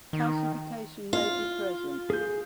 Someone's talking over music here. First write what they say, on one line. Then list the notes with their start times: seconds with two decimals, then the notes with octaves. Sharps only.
Calcification may be present.
0.13 D#3
1.13 F4
2.10 G#4 G6